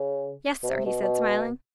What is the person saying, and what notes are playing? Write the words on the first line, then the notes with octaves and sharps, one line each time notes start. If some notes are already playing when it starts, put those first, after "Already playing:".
"Yes, sir," he said smiling.
Already playing: C#3
B2
C3
B2
B2